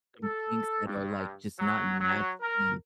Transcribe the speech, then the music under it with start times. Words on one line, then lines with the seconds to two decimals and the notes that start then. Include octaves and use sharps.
some kinks that are, like, just not naturally,
0.23 A4
0.85 G2
1.59 F#3
2.00 F#3
2.41 A#4